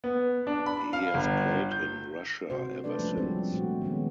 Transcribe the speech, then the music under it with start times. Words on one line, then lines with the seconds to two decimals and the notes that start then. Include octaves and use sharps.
He has played in Russia ever since.
0.04 B3
0.47 D4
0.66 B5
0.93 F5
1.14 G1
1.72 G6
2.50 C3 F#4 C5
2.84 A3 D4 A4 B4 D5
2.99 F3 G#3 C#4
3.17 F3 G3 C4 D4 F#4 C5
3.53 A#2 A3 F#4
3.81 D#3 G#3 B3 C#4